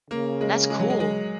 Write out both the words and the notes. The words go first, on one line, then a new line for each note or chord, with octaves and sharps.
That's cool.
C#3 A#3
G#3
G#3
F#3
G#3
G#3